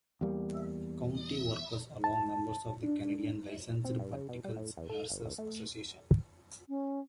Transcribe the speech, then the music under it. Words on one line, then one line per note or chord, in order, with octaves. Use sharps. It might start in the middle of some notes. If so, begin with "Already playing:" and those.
County workers along members of the Canadian Licensed Practical Nurses Association.
E2 G3 A#3
A5
D4
C4
G2
C#3
B2
G3
A2
E2
A4
G1
C#2
A3
C#4